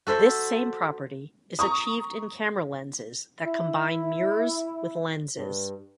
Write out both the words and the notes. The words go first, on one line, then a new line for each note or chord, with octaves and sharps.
This same property is achieved in camera lenses that combine mirrors with lenses.
F#4 A4 C5 E5
A#5 C#6 D#6
E4
G2